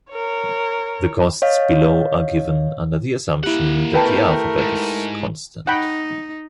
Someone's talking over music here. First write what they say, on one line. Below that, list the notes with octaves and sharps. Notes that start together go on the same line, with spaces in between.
The costs below are given under the assumption that the alphabet is constant.
A#4 C#5
C#5 D#5 F5
A#3 E4 G4 F#5
B2 A3 A#4 B4 G5 A5
G#2
D#4 F#5 G5 B5